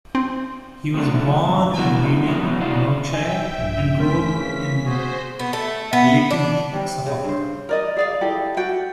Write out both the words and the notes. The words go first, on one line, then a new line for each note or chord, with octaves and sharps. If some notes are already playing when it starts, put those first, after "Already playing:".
He was born in Reading, Berkshire and grew up in Lakenheath, Suffolk.
C4
C3 F#3 A3 D4
G2
D3 B3 D4 E4 F#4
G#3 A#3 D#4 E4 G4
F#3 B3 D#4
E4 F#4 D5 D#5 F5
E5 G5 G#5
A#1 G2
A3 C4 C#4 F4 A#4 B6
C#3 E3 C#4
F#4 G#4 C5 G#5
B3
A3
B3
D4
C3 G3
C#3
G2 C5
A#4 D5 D#5
G#4 D5 F5
E4 G4 A4
F#4 D5 G5